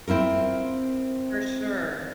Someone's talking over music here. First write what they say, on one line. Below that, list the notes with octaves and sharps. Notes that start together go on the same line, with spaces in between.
For sure.
C4 E4 F4 A#4